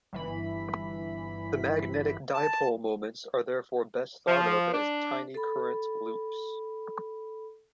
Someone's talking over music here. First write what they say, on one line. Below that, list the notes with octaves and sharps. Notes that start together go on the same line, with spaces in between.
The magnetic dipole moments are therefore best thought of as tiny current loops.
G1 E3 B5
A5
F3
D4
A4 B5